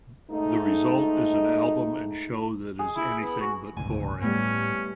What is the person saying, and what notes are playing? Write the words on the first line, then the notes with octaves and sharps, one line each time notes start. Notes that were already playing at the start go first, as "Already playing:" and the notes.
The result is an album and show that is anything but boring.
G#2 A3 D#4
G#4
E4
B3
F#4
G1 C#2 A2 G#5
A2 G3 A3 B3 C#4